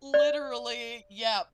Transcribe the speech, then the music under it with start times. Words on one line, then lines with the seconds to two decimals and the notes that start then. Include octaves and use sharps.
Literally! Yep!
0.14 D5